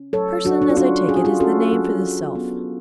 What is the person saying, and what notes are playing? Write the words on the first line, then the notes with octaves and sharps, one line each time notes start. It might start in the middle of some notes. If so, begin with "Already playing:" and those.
PERSON, as I take it, is the name for this self.
Already playing: C#4
F#3 A4 C#5
F#3 D4 F#4
D4
F4
C#4 D4 F#4
C#4 G#4
F#4
F4 G#4
C#4 F#4 A4
F#3
C#4
B3